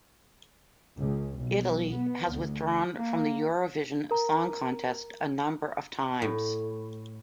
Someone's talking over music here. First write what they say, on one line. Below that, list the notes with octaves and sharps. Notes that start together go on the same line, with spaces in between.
Italy has withdrawn from the Eurovision Song Contest a number of times.
C#2
B1
B3
D2
A#3
A#4 A#5
A2